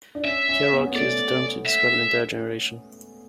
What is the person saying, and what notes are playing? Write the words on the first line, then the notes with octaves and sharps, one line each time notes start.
Kerouac used the term to describe an entire generation.
D4
C#4 E5
C#4
B3
C#4
B3
A3 D5
E5